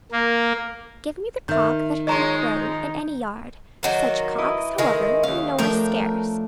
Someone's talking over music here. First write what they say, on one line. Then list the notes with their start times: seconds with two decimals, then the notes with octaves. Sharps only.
Give me the cock that can crow in any yard; such cocks, however, we know are scarce.
0.12 A#3
1.49 D#3 E5 G6
2.07 F3 G#3 C#5 D#5 A#5 C6
2.38 D#4
3.83 D#3 F#3 A#3
4.38 E4 B4 D#5
4.78 D#3 G#3
5.23 D#2 C#4 F5
5.59 F3 A3 D4 A#4 G5